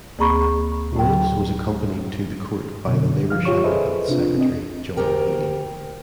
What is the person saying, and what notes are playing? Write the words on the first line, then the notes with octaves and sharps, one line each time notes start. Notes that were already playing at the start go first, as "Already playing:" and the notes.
Woolas was accompanied to court by the Labour Shadow Health Secretary John Healey.
D2 A#3 G#4 A#5 B5 C#6
A2 F#3 G5
B2 D3
F3 F5 F6
F4 G4 C#5 C#6
G#4 A4 B4 C5 D#5 E5
C3 D4 F4
C4 D#5
D2 G#2 G4 A#4 G5